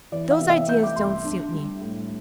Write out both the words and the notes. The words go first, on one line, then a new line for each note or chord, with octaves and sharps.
Those ideas don't suit me.
E3 D5
E5
C3
E5
A3 G6
D6
C2 C6
D4
G3
A2